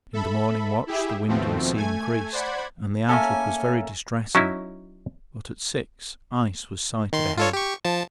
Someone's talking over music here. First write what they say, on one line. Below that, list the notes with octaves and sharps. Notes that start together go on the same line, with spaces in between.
In the morning watch the wind and sea increased and the outlook was very distressing, but at six ice was sighted ahead.
A4 E5 B5
E4 G4 G#4 E5
D#2 B2 F3 A3 C4
A3 G#5 G#6
C5 D5 F#5 B5 G#6
A3 A#3 C#4 A4 G#5
F#3 C#4 D#4 E4
D#3 C6
F4 A4 C#5
G4 C#6
F3 A5